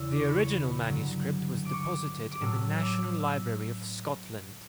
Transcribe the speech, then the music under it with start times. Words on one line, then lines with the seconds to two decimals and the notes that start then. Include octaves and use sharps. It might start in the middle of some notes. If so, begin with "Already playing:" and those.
The original manuscript was deposited in the National Library of Scotland.
Already playing: E2 C#3 E3 E6
0.11 D6
0.20 C#6
0.28 B5
0.36 C#6
0.89 G2 D3 F#3
1.65 D6
1.73 C#6
1.81 D6
2.31 D6
2.41 A2 F#3 C#4 E6
2.75 E6
2.81 D6
3.19 E6